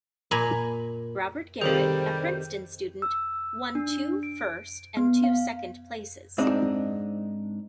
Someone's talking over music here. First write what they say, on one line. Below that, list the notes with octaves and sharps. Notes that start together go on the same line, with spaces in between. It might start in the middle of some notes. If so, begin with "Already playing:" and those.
Robert Garrett, a Princeton student, won two first and two second places.
A#2 G#5 A#5 B5
C3 D#3 G3 G#4 A4 C5
E6
D4
D7
B3
F5
G#2 C4 D4 D#4